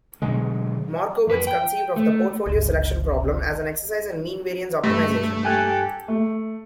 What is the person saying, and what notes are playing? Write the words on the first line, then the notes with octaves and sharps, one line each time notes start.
Markowitz conceived of the portfolio selection problem as an exercise in mean-variance optimization.
B2 D3 F#3 G#3
F2 B4
G5
A3
G1 C#2
G2 A3 E5 E6
G4 A4 G5 G#5 F#6
A3